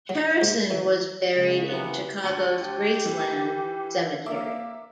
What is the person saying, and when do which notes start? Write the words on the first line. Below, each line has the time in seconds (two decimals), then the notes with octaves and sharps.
Harrison was buried in Chicago's Graceland Cemetery.
0.09 F#3
0.42 G#2
0.71 E3
1.35 C#3 G#3
1.69 C3 E3 A#3 B3
2.23 D2 F#4 C#7 F#7
2.60 G4
3.05 E3
4.26 A#3 E5 D6